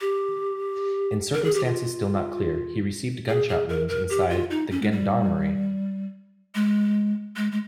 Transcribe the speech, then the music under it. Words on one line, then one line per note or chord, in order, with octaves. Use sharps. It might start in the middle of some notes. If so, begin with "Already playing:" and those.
In circumstances still not clear, he received gunshot wounds inside the gendarmerie.
G4
A#4
G#4
G4
F4
G#4
G#4
A#4
A#4
G4
F4
D#4
C#4
G#3
G3
G#3
G#3
G#3